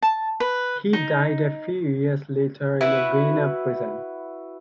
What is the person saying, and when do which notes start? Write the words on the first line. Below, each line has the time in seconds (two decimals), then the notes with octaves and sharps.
He died a few years later in a Guiana prison.
0.03 A5
0.40 B4
0.93 D#4
2.81 E4 F#4 B4